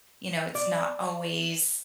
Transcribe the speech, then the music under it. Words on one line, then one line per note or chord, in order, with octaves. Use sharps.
you know, it's not always
D5